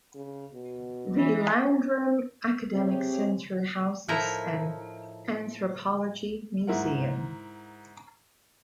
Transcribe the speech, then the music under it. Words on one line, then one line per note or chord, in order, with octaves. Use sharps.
The Landrum Academic Center houses an Anthropology Museum.
C#3
B2
E3
C3 G4 G#4 C#5
A2 F3 D#4 E4 A#4 A#5
G#2 E4 A#4 F#5